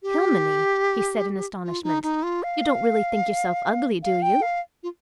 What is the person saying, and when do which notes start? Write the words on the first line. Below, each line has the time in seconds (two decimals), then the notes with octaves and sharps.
"Kilmeny," he said in astonishment, "you don't really think yourself ugly, do you?"
0.03 G4
1.64 F4
1.83 D#4
2.03 D#4
2.23 F4
2.43 F5
4.03 F5
4.22 G5
4.42 F5
4.83 F4